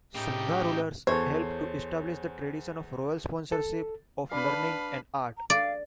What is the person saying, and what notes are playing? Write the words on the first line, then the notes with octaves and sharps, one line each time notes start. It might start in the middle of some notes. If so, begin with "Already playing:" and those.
Shunga rulers helped to establish the tradition of royal sponsorship of learning and art.
A2 C#3 A3 D#4 G4 G5
E2 A4 C5 C#5
A4
D4 B4 F5 B5
A#5
D5 F5